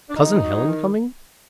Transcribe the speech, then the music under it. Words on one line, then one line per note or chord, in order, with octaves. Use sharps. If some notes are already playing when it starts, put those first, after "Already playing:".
Cousin Helen coming!
D4
D#2 D#4
F#3
D#3